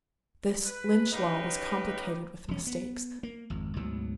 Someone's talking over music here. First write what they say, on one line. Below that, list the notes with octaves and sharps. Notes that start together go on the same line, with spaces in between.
This Lynch law was complicated with mistakes.
B4
C#4 D#4 G4 B4 F5 A#5
E1 C#4
B3
A#3
G#1 F2
D2 G#2 B2 F#3